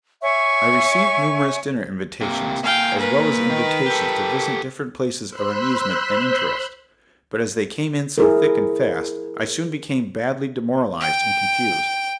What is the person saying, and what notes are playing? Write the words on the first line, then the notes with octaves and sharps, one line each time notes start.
I received numerous dinner invitations, as well as invitations to visit different places of amusement and interest; but as they came in so thick and fast, I soon became badly demoralized and confused.
C#5 E5 G#5 C#6
C3 A#3
A#3 F5 G5 G#5
A#4 B4
D#3
G4 A4
C5 B5 C6 E6 F#6
E4 G#4 A#4
G5